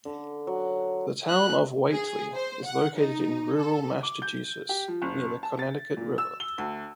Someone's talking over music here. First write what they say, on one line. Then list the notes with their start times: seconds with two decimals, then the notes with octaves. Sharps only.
The Town of Whately is located in rural Massachusetts, near the Connecticut River.
0.05 D3
0.47 F#3
1.29 F#6
1.91 G#4
2.35 C5
2.66 F#5
2.97 D#4
3.58 A4
4.03 D6
4.22 G6
4.69 G4
4.88 F3
5.02 F#1
5.43 A5
5.59 A6
5.97 A#2
6.18 E6
6.40 G7
6.58 D2